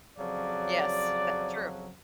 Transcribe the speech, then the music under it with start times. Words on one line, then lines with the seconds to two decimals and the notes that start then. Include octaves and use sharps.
Yes, that true.
0.17 F2 C#3 F#3 D5